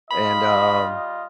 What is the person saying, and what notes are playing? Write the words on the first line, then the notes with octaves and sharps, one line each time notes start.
And, um
G3 F4 D#5 B5